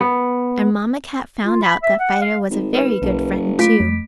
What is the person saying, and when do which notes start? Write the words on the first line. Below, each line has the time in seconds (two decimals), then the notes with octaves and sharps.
And Mamma Cat found out that Fido was a very good friend, too.
0.01 B3
1.44 F4
1.63 B5
1.83 E5
2.00 F#5
2.22 F5
2.50 G#1
2.75 B4
3.02 F#1 B1
3.59 A3 F4 B6 D7
3.80 F2